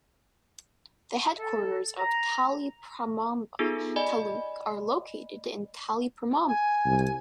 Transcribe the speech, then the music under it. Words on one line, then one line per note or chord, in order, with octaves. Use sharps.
The headquarters of Taliparamba Taluk are located in Taliparamba.
A4
A#5
B3 D#4 F4 G#4 A4
D5 D#5 G#5 B5
G#5
C2